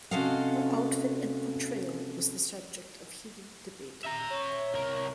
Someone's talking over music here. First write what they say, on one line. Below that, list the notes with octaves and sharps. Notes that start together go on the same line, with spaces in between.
Her outfit and portrayal was the subject of heated debate.
C3 C#4 F#4 A4 D#5 F5
E5 A#5
C#5
C2 A#4